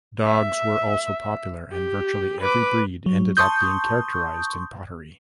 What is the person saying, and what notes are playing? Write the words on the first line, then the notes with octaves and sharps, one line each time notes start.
Dogs were also popular and virtually every breed ended-up being characterised in pottery.
E5
G4
B4 D6
F#3
A5 C6 C#6 D#6 G6